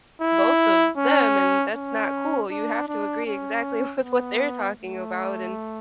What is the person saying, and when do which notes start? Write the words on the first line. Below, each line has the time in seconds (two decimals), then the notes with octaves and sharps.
both of them, and that's not cool. You have to agree exactly with what they're talking about in
0.21 E4
0.97 C#4
1.74 C#4
2.50 D4
2.88 D4
3.26 C#4
4.03 B3
4.79 A3